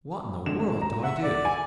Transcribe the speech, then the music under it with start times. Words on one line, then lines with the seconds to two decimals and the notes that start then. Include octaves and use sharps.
What in the world do I do?
0.46 G#1 D3 E7
0.82 A#5
1.04 E5 F#5
1.23 D5
1.45 G#5